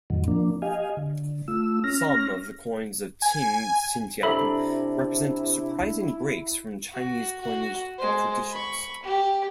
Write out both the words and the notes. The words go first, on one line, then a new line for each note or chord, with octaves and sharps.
Some of the coins of Qing Xinjiang represent surprising breaks from Chinese coinage traditions.
F2 A2 D#3 F#3
F3 A#3 D4
G4 D#5 F5 G#5
D3
A3 F4 E6
C#4 F6 A#6
G#5
C3 D4 E4 A4 E5 A#5 B5
F#4
F#4
G#3 C5
B5 C#6
G4